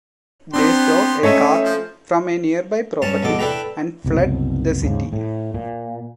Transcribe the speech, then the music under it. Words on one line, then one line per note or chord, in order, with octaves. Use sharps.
They stole a car from a nearby property and fled the city.
B3 C4 D4 G4 C6
A3 C#4 D#4 C#5 D#5 E5
F3 C5
G2 C#4 A5
E2 B2 A4 D6
D4 E4 A4 B4 G5 A#5
F#1 C2 B2
D#2 G#2 C#3
A2
A#2